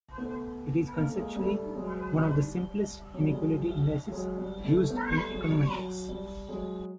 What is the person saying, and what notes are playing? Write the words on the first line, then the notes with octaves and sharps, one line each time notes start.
It is conceptually one of the simplest inequality indices used in econometrics.
A3 B3
A#3
A3
G#3 A#3
G3 A3
F#3 G#3
G3
F#3
G3
F#3 G#3
F#3 G#3
G3
G3 A3
A3 B3
G3 A3
F#3 G#3
G3
F#3
G3
F#3 G#3